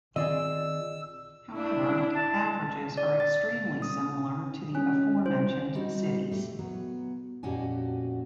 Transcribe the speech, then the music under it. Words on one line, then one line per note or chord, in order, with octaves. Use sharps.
However, averages are extremely similar to the aforementioned cities.
D#3 C4 F4 G#4 D5 D#5 E6
D4 E4
A5
D5
A6
D#6
C#4
C5
G3 C4 D#4 F#4
A3 G4
F#3 B3
F2 A#2 C#4 F#4 G4 G#5